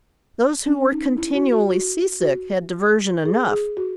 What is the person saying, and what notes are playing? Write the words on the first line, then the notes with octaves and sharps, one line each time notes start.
Those who were continually seasick had diversion enough.
C#4
D#4
E4
F#4
F#4
F#4
F#4
G#4
G#4
F#4